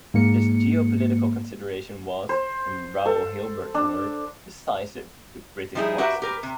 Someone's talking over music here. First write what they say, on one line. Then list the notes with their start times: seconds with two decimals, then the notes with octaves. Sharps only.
This geopolitical consideration was, in Raul Hilberg's word, "decisive" to British policies.
0.14 G#2 A#3 C#7
2.29 C5
3.06 A4
3.74 D4
5.75 F3 G3 D#4 E4 G#4
5.98 F#4 G4 A#4 B4 E5 F#5
6.22 G4 A#4 B4
6.43 C3